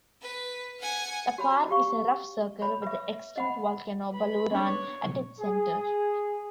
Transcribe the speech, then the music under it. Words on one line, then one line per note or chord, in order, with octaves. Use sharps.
The park is a rough circle, with the extinct volcano, Baluran, at its centre.
B4
F#5 G#5
F#4 C#5 B5
G4 F5 C#6
C#5 B5
B4 E5
D#5 F#5 B5
B4 B5
B3 D4 C#5
G#4